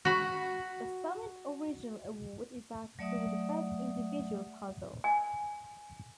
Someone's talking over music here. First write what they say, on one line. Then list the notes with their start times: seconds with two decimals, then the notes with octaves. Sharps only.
The seventh original award is that for the Best Individual Puzzle.
0.05 F#4 B5
2.99 F#3 A3 D5 E5 F#5 D#6
5.04 G#5